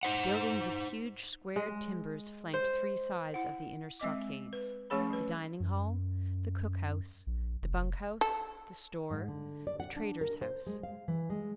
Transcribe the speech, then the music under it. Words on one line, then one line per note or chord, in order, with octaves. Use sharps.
Buildings of huge, squared timbers flanked three sides of the inner stockades--the dining-hall, the cook-house, the bunk-house, the store, the trader's house.
D#4 C5 F#5
G#3
C5
E4 F#5
G#3 C4 D#5 D6
B4
F3 A3 C#4 G#4 C#5 B5
G3 B4
F#2
A#1
F1
A4
G#2
D3
D5
F#5
D4
A#4
C5
G#3
F5
E3
G#3